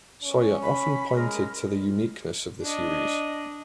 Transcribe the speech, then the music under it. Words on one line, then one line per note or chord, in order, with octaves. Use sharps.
Sawyer often pointed to the uniqueness of the series.
C#4
B5
G#3 A#4
D4 D#5